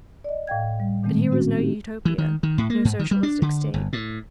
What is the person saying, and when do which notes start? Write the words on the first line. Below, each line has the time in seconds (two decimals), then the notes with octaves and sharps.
But here was no Utopia, no Socialistic state.
0.24 D5 D#5
0.47 A2 F5 G5 G#6
0.80 G3
1.03 A#2 D#3 G#3 A3 C4
1.31 C4 C#4 F#4
1.56 C4 D#4 G4
2.05 E3
2.18 D#3
2.43 D#3
2.58 A2
2.70 A#3
2.85 G#2
2.99 D#3
3.11 G3
3.23 D4
3.42 D3
3.74 G1
3.93 A2